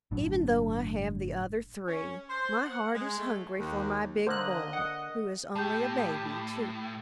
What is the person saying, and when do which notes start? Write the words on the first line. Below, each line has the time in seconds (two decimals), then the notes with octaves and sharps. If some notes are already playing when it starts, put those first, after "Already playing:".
Even though I have the other three, my heart is hungry for my "big boy," who is only a baby, too.
0.11 G1 A2 F#3 D4
1.87 C#4
2.29 C5
2.65 F#5
2.93 G#3
3.18 A3
3.59 D#2
4.27 D3 A#3 C5 D#5 F#6
4.73 F#5
5.55 A2 G4 A5 G6